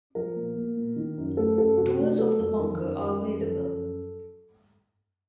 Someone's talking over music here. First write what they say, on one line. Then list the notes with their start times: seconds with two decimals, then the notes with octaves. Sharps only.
Tours of the bunker are available.
0.15 F3 A#4
0.36 A#2
0.56 A#3
0.76 A#2
0.96 D#3
1.18 F#2
1.37 A3 A4
1.57 F#2 A4
1.77 C3 F#4
1.99 A3
2.18 F#3 A4
2.39 F2
2.59 D#3 A#4
2.79 F#2
2.99 F#3
3.20 F#2
3.40 F3 A4
3.60 F#2